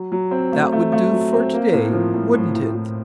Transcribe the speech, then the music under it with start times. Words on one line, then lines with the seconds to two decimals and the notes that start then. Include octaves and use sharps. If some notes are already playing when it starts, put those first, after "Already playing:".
That would do for to-day, wouldn't it?
Already playing: F#3
0.12 F#3
0.31 C4
0.52 A3
0.72 A3
0.92 A3
1.13 F#3
1.33 C4
1.53 A#3
1.73 A2
1.93 F3
2.14 A2
2.33 A2
2.55 A2
2.74 A2